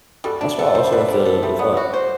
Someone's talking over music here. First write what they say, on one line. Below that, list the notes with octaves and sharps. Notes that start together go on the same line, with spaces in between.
That's why I also like to to fi
G3 F#4 A4
D4
A4 D5 F#5
G3 C5 E5
G3 B4 D5
D4 A4 C5
A4
G3 C5 E5
B3 D5 F#5
F#4
C5